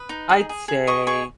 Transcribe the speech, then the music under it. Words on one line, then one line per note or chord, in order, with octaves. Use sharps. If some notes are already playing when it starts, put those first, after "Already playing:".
I'd say
Already playing: B4 D#6
D#4
G#4
G#4
G#4
D#5 C#6
G#4 C#6